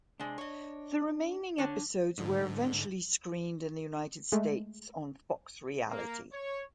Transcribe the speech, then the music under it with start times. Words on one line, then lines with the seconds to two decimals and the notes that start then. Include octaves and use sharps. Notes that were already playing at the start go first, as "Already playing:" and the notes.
The remaining episodes were eventually screened in the United States on Fox Reality.
0.20 C3 G#3 D4
0.38 C#5 D#5
1.58 D3 D4 C#5
2.18 G#2 D3
4.32 G#3 A3
5.89 A#3
6.32 C#5